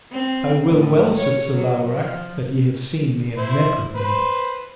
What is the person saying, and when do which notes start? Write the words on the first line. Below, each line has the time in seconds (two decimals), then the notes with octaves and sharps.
I will well, said Sir Lamorak, that ye have seen me and met with me.
0.12 C4
0.66 A2
1.19 C#5
1.56 F#3
1.93 F3
3.38 E4 C5
3.95 B4 C5